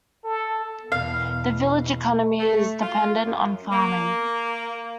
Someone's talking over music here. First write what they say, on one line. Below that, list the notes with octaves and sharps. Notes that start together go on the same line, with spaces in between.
The village economy is dependent on farming.
A4
E2 B2 F5
A3
F4
F#2
A#3